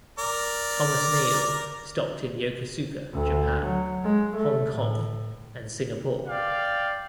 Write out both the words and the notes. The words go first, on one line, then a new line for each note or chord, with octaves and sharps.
Thomas Neal, stopped in Yokosuka, Japan, Hong Kong and Singapore.
A#4 D5
D2
F#3
G#3
A3
A2
D5 F5 G5